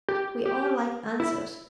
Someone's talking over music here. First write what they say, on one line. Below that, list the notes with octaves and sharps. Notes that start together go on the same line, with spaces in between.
We all like answers.
G4
G4
E4